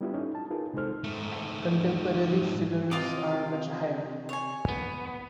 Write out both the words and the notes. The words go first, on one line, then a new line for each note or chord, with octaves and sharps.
Contemporary figures are much higher.
G3 B3 D4 E4 F4 G4
C#4 D#4 E4 A4
A5
D#4 F4 G#4 A#4 B4
C3 G#3 D#4 A4 C5 F6
G#2 A3
C3 F4 D#5 D6
C#5 G#5
B3